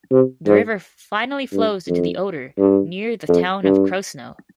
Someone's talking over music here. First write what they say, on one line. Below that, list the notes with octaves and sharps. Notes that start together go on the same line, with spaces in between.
The river finally flows into the Oder near the town of Krosno.
C3
G#2
G2
F2
G2
F2
G2